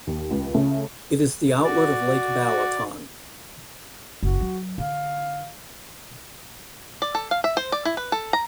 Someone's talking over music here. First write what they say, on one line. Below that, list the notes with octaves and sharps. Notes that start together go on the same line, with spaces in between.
It is the outlet of Lake Balaton.
D#2
C#2
C#3 A3
F#4 D5
F#1 F#4
F#3
D3 F5
D5
A4
F5
E5
C5
D5
E4
B4
A4
A#5